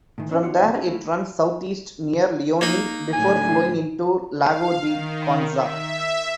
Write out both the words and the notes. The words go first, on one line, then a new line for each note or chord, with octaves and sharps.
From there it runs southeast near Lioni before flowing into Lago di Conza.
A2 D#3 E3
C#4 D4 C5
B3 D4 F#4 C5 C#5 F#5
E2 B2 F#3
C#4 D#4 E4 F#4 G#4 A4
A3 A#3 E4 F#4 A4
A#3 D#4
A2 D3 F#3 G#5
F5
D#3
E5